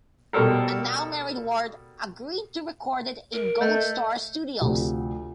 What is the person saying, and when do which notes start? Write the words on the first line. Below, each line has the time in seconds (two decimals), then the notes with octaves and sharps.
A now-married Ward agreed to record it in Gold Star Studios.
0.33 B2 G3 A4 A#4
3.33 A#4
3.61 A3 D#5 G6
4.61 D2 C3 F3